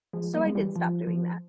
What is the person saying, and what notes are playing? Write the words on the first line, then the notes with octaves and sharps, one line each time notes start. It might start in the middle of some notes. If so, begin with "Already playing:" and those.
So, I did stop doing that.
F3 G#3
G3 A#3
G#3
E3 G3
F3
F3